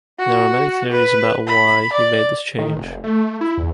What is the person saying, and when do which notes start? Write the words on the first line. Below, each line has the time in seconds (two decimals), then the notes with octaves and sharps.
There are many theories about why he made this change.
0.18 F#4
0.92 B4
1.47 B5
1.93 D5
2.59 D#3
2.76 F1
3.04 A3
3.41 E4
3.57 E2